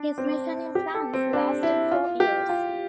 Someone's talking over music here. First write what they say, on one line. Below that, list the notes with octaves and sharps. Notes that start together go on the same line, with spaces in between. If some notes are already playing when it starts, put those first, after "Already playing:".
His mission in France lasted four years.
Already playing: D4
C4
G4
A4
C4
D4
E4
F4
G4
F4